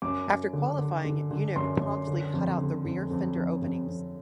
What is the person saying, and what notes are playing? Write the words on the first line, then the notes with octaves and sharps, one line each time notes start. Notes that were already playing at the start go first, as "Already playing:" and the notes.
After qualifying, Yunick promptly cut out the rear fender openings.
F#2 D6
F#2
D3
D3
D3
D3
F#2 C6
F#2
D3
F2
D3
F2
F2
F2
F2
F2